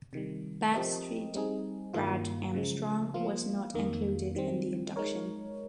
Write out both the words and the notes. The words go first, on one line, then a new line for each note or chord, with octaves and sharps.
Badstreet Brad Armstrong was not included in the induction.
C3 D#3 G3
F3 C4 G4 A#4 D#5
G3 C4 D#4 G#4
G2 D#3 A#3 F4
C#3 F3 G#3
F3 A#3 F4
F2 D#3 A#3
D#3 G3 C4
G#3 D#4 A#4 C#5